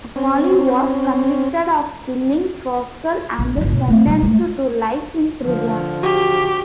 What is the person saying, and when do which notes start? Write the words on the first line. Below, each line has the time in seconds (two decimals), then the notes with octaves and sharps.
Acoli was convicted of killing Foerster and sentenced to life in prison.
0.16 C4 C#4
3.39 A#1
3.57 G1 D#4
3.72 B2
3.88 A3 A#3
4.05 B2 G3
4.22 G#3 A3
5.44 D3 F3
6.03 F#4 G4